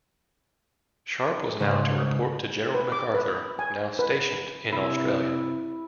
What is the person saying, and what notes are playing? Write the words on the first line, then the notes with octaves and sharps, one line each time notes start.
Sharp was now to report to General MacArthur, now stationed in Australia.
G#2 C#3 A3 C5 F#5
B4
D6
B4
G#5
B4
C3 E4